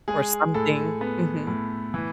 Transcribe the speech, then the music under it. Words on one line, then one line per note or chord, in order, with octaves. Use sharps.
or something. Mhm.
G#3 G#4
A2 A4
B3
A2
E3